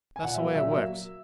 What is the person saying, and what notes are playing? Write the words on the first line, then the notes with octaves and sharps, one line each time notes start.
That's the way it works.
G#5
A#2 F#5
E5
F#3 A#3
A#2 E5
F#3 A#3